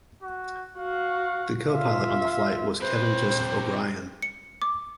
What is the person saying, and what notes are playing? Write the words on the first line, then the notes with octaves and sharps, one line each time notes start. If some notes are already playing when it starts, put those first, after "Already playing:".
The co-pilot on the flight was Kevin Joseph O'Brien.
F#4
F#4 F5
F4 E5 F5
C3 B4 C5
C#7
D6